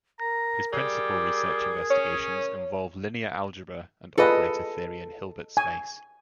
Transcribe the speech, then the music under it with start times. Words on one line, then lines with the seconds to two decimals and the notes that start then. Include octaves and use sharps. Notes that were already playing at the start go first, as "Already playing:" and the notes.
His principal research investigations involve linear algebra and operator theory in Hilbert space.
0.20 A#4 A#5
0.73 G3 G#4
1.90 C#4 C#5
4.18 F4 G#4 A4 B4 D#5
5.57 G#5